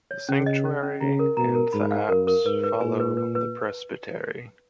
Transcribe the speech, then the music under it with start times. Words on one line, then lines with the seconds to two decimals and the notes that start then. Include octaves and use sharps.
The sanctuary and the apse follow the presbytery.
0.11 C#5
0.29 C#3 C#4
0.46 D#5
0.65 C#4
0.83 C#4
1.00 C#3 A#5
1.19 A#4
1.37 B2 A#5
1.55 A#4
1.73 G#2 B5
1.91 F5
2.09 F#2 A#4
2.27 A#4
2.45 G#2 B4
2.63 B4
2.81 A#2 G#5
3.00 B4
3.17 B4
3.35 B4